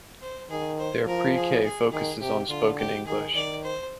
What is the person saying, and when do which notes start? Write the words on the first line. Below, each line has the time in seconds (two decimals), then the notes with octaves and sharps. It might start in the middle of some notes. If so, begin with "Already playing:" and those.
Their Pre-K focuses on spoken English.
0.21 C5
0.50 D#3 G#4
0.79 C5
1.07 F3 A#4
1.36 G#4
1.64 G#4
1.92 D#3 G#4
2.21 C3 G4
2.49 D3 F4
2.78 G4
3.06 D#3 G#4
3.34 D#3 D5
3.64 C5